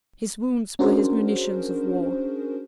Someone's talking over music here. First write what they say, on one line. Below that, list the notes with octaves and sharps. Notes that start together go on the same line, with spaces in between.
His wounds were his munitions of war.
C#4 D4 F#4 G#4 A#4 C5